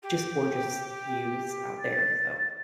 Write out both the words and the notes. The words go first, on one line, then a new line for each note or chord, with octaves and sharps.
just gorgeous views out there. So,
G4
A6